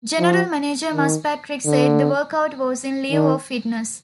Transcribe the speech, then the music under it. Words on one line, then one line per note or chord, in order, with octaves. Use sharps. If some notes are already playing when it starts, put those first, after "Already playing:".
General manager Muzz Patrick said the workout was in lieu of fines.
F3
D#3
D3
D#3